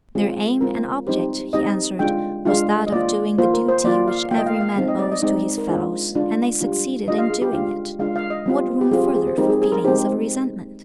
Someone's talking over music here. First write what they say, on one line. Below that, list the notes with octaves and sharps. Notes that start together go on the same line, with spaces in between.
"Their aim and object," he answered, "was that of doing the duty which every man owes to his fellows, and they succeeded in doing it;--what room further for feelings of resentment?"
G#3 C4 F4 G#4
G#3 C4 F4 A#4
G3 C4 D#4 G4 C5
G3 C4 D#4 G4 D#5
G#3 D4 F4 G5
G#3 D4 F4 F5
D#5
A#3 F4 D5
A#3 F4 C5
A#4
C5
A#3 F4 D5
F5
A#3 F4 G5
D#5
F5
F5
G#3 C4 D#4
D#5
D5
D#5
G#3 C4 D#4 D5
A#4
G#3 D4 F4 C5
G#3 D4 F4
G3 D4 F4
G3 D4 F4 D#5
F5
G#4
G4
G#3 D4 F4 F5
G#3 D4 F4 F5
F5
D#5
G3 C4 F4
G4
G3 C4 F4 G#4
G4
G#4
C5
G#3 C4 D#4 G4 A#4
G#4
G#4
A#4
G#3 C4 D#4 G4 C5